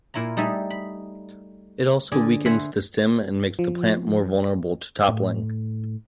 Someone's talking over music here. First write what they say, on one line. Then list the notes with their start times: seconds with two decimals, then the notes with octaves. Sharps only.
It also weakens the stem and makes the plant more vulnerable to toppling.
0.14 A#2 E4 F4 A#5
0.37 G3 A3 D#4 G#4 D#5 E5
0.70 B5
2.12 D3 G#4 D5
2.45 C5 E5 F#5 G#5 B5 C6
3.59 F3
5.08 A2